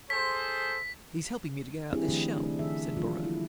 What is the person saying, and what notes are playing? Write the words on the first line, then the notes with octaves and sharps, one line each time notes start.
"He's helping me to get out this shell," said Borrowe.
G#4 A4 C5 B6
G3 C4 D4 E4 G4 G#4
D#3 F3 A3 D4
C#3 A3 D4 D#4
D#3 G#4 E5
E3 F#3 A#3 F4
E4